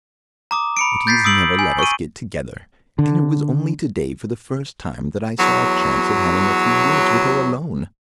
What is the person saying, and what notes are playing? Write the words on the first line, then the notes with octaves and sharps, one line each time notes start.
But he has never let us get together and it was only today for the first time that I saw a chance of having a few words with her alone.
A#5 D6 D#6
B5 C#7 D7
G6 A6 B6 C7
D#6 E6 D7 F#7
G#5
C#6 D#7
D3
E2 F#3